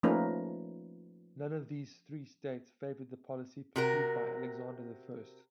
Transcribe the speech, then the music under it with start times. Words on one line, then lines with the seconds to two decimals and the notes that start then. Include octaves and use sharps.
None of these three states favored the policy pursued by Alexander the First.
0.03 F3 A3 A#3 C#4 D#4 B4
3.76 C3 F#4 A#4